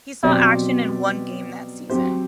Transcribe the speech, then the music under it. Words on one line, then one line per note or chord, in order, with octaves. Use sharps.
He saw action in one game that season.
B2 F#3 C4 G4 D5
F#3 C4 G4 C5